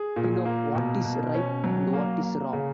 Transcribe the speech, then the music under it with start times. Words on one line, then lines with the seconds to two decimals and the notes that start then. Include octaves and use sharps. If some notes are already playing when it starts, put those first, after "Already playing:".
Pinoak what is right and what is wrong.
Already playing: G#4
0.16 A#2
0.45 A#3
0.75 B2
1.05 B2
1.35 C#4
1.64 F#3
1.93 A#3
2.23 A#3
2.53 C#3